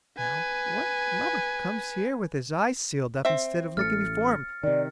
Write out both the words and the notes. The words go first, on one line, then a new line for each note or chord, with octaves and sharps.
Now, what lubber comes here with his eyes sealed up instead of looking before him?
B4 G#5
C4 E5
A1 A3 F6 A6 C#7
C3 D#3 D5